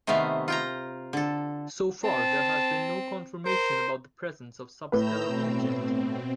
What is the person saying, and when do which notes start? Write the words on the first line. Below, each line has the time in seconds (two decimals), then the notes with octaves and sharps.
So far there has been no confirmation about the presence a substellar object.
0.07 C3 D#3 A3 B3 F5
0.48 F4 G5 A#5
1.13 D3 A4
2.04 C4 A5
3.45 A#4 C5
4.92 A2 B4 A#5 E6 G6
5.26 B2 C4